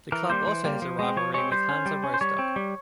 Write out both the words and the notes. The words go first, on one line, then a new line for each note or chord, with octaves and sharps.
The club also has a rivalry with Hansa Rostock.
E3 A#4
G3 A#3 C5
E3
G3 A#3
F3
G#3 C4
F3 C#5
G#3 C4 C#5
G3 C5
C#4
G3
C#4
C5
G3 C#5
C4
G3